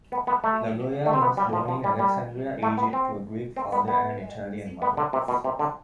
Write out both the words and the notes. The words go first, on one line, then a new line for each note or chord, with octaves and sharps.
Lagoya was born in Alexandria, Egypt, to a Greek father and an Italian mother.
B3
B3
A3
A3
C4
B3
G3
F3
F3
G3
G3
A3
B3
C4
C4
B3
B3
B3
D3
C3
B2
C3
D3